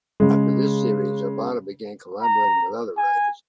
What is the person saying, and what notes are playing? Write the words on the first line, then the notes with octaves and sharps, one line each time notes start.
After this series, Obata began collaborating with other writers.
C#3 G#3
A#5
G#5